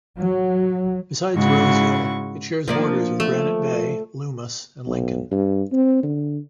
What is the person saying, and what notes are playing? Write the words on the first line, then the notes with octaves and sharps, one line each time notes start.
Besides Roseville, it shares borders with Granite Bay, Loomis and Lincoln.
F#3
G#2 C#3 E4 F#4 C#6
F3 A#3 D4
A3
B1
G2
C4
D3